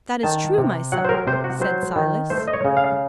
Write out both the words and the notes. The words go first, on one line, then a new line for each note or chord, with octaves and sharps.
"That is true, my son," said Silas.
D#3 A5
C3
F#3 F#5
C5
A#4
C3 C5
F#4
F#3 C5
D#3
A3 C5
D#5
C#5
C#3
F5